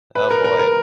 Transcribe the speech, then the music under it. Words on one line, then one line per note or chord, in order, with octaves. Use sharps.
Oh, boy.
B4
A#4
A#4
A#4